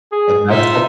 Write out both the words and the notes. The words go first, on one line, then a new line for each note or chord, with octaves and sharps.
and that's some
G#4
D#4 F4 E5